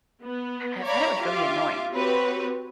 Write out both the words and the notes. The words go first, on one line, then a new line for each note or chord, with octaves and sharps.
I I thought it was really annoying,
B3
C#5 D5 F5 A#5 B5
F4 G4 E5 F5 D6
C4 F#4 G4 B4 C#5